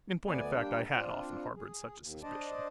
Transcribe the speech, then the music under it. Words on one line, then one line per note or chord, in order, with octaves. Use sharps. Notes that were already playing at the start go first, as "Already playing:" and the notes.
In point of fact, I had often harbored such a suspicion.
D2 B3 D5 G#5
G3 A#3 D4 G5
C4 D4 F4
G#4
D#2
D4 C5 D5 D#5 A5